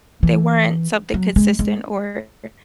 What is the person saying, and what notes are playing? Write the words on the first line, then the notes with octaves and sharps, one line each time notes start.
they weren't something consistent or r
E3
F#3
G#3
G#3